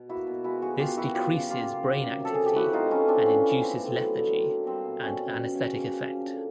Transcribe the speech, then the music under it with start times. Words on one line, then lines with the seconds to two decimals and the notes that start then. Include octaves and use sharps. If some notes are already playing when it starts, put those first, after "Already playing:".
This decreases brain activity and induces lethargy and anaesthetic effect.
Already playing: B2
0.09 A#3 E4 F#4
0.27 B2
0.44 G#3 E4 F#4
0.62 D#3 F#4 G#4
0.79 B3 F4 G4
0.97 D#3 E4 F#4
1.15 F#3 F4 G4
1.32 C#3
1.50 A#3 F4 G4
1.68 C#3
1.85 D#3
2.03 C3
2.20 F#3 A4
2.34 C3 G#4
2.46 G4
2.56 E3 E4 F#4
2.73 A2 D#4 F4
2.91 A3 C#4 D#4
3.08 A2 C4 D4
3.26 E3 C#4
3.44 B3
3.62 G#3 C4
3.79 A2
3.97 F#3
4.15 D3
4.32 A#3
4.49 D3
4.67 G3 C4
4.85 B2
5.02 B3 C#4
5.20 B2
5.38 F#3
5.55 C#3
5.73 A#3
5.91 C#3
6.09 F3
6.26 D3